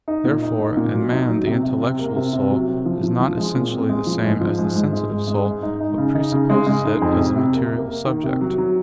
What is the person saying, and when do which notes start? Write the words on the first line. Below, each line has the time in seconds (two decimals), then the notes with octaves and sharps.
Therefore in man the intellectual soul is not essentially the same as the sensitive soul, but presupposes it as a material subject.
0.08 D#4
0.25 A#2
0.42 D#4
0.60 D#4
0.77 A#2
0.94 F#3
1.12 D#4
1.29 F#3
1.46 C3
1.63 C3
1.81 C3
1.99 A#3
2.16 C3
2.33 C3
2.50 F#3
2.68 C3
2.85 F3
3.03 F3
3.20 F3
3.37 G#3
3.55 A#2
3.72 C4
3.89 G#3
4.06 F3
4.24 G#2
4.41 F3
4.58 G#2
4.76 G#2
4.93 G#3
5.11 G#2
5.28 G#3
5.45 G#2
5.63 D#4
5.80 D#4
5.98 C#3
6.15 D#4
6.32 C#3
6.50 G#3
6.67 G#3
6.84 D#4
7.02 F2
7.19 C3
7.36 C3
7.53 A#3
7.71 A#3
7.88 A#3
8.05 D#3
8.24 C3
8.41 F#3
8.58 F#3